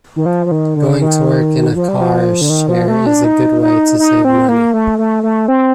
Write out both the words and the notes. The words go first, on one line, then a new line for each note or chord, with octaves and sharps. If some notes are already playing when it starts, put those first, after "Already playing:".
Going to work in a car share is a good way to save money.
D#3
F3
F3
D#3
D3
D#3
F3
G3
F3
D3
D#3
F3
A3
D4
D#4
D#4
D#4
C4
A#3
A3
A3
A3
C4